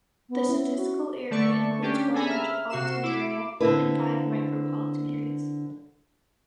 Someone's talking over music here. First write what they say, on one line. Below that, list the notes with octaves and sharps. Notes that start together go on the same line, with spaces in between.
The statistical area includes one metropolitan area and five micropolitan areas.
B3
C#4 E4
B3
F#4
D3 A3 D5 A5 C#6
C#4 D4 G4
G#4 A4 G#5 A#5 B5
E5 F6
C3 F#4 C7 E7
E4 D6
D3 C4 E4 B4